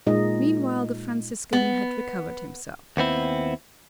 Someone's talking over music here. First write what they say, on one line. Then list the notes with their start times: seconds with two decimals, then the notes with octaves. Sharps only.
Meanwhile the Franciscan had recovered himself.
0.07 A#2 G#3 D#4 D#5
1.53 B3
2.97 D#2 B3 C4 E4